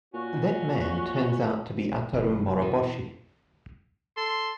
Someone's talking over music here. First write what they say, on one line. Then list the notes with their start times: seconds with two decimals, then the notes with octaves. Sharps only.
That man turns out to be Ataru Moroboshi.
0.14 A#2 C#4 F#4
2.13 F1
2.61 B2 E3
4.17 A4 C6